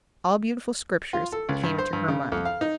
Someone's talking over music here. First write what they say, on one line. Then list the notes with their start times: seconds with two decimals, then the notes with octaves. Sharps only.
All beautiful scriptures came into her mind.
1.13 F4
1.32 A4
1.49 C#2
1.63 G2
1.79 C5
1.93 G2
2.08 C#3
2.32 F2
2.45 F5
2.61 D#4